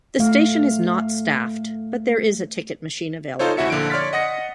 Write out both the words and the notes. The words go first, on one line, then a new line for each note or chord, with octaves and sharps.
The station is not staffed, but there is a ticket machine available.
A3 F5
D#4 F4 A4 C5 C#5
D2 E4 F#4 E5 C#7
A#2 D3 F3 D7
C#5 D5 C6 F6 A6 B6
D#5 F#5 D#6 A#6 C#7